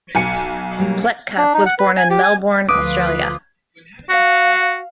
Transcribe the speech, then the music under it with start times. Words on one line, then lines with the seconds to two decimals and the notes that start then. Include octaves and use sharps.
Pletka was born in Melbourne, Australia.
0.15 B1 G#5 C#7
0.79 F#3 G3 A#3
1.38 D4
1.54 D#4
1.66 F#5
1.79 B4
1.97 G#5
2.10 G4
2.23 G#5
2.69 D2 F3 F4 B4 D6 D#6 D7
4.10 F#4 F5